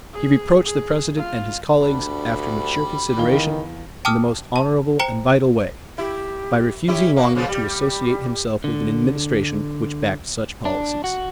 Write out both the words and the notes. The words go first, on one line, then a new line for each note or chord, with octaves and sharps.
He reproached the President and his colleagues after mature consideration, in the most honorable and vital way,-by refusing longer to associate himself with an Administration which backed such policies.
G#4
G#4
F4
D2 G3 D4 B5
E2 D#3 F5 G7
G5 A5 D6 D#6 F6
A5
C5 G5 A#5 C#7 G7
E4 G4
C#4 E4 G4 E5
A#3 F#4
C#3 F3 B3
G3 G4
D3
D4
F#4